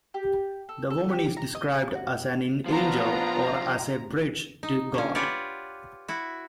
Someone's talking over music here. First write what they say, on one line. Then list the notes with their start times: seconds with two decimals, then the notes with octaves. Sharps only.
The woman is described as an 'angel' or as 'a bridge to God'.
0.14 G4
0.69 A4
0.90 A4
1.09 G4
1.37 A#5
1.55 D#5
1.74 A5
1.95 F#4
2.66 F3 B3 D4 F4 A#5
4.63 D#4
4.94 D3 C#4
5.15 F4 G4 B4 C#5 D5 F#5
6.08 E4 F#4